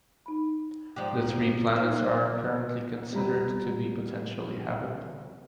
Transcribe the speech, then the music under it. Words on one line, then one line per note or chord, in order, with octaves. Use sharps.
The three planets are currently considered to be potentially habitable.
D#4 B5
G#2 F3 G4 C5 D5 F#6
A3 C4 D#4
F#3 F#6
F2 G3 B3 A#5 B5